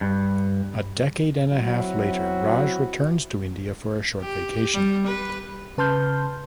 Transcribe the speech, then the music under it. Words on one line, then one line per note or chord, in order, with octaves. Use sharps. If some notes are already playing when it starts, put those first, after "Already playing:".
A decade and a half later, Raj returns to India for a short vacation.
G2
F#3 C4 E4 F#4
G4
G3
B4
C#3 B4 A5 C6 F6 G6